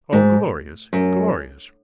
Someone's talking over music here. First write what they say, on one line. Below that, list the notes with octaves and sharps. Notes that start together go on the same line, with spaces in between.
Oh, glorious, glorious!
G#2
F#2